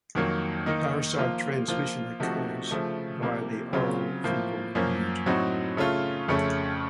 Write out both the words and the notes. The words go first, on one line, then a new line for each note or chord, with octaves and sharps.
Parasite transmission occurs via the oral-fecal route.
F2 D#3 F#3 A#3
D#3 A#3 D#4
F3 A#3 F4
F3 A#3 F4
C3 F3 A3 D#4 F#4
C#3 F3 A3
C3 F3 A#3
C#3 F#3 C4 F4
A2 F3 A#3 F4
F#2 F3 A#3 C#4
A2 F#3 C4 D#4 F#4
C#3 A3 C#4 F4
F2 C#3 A3 C#4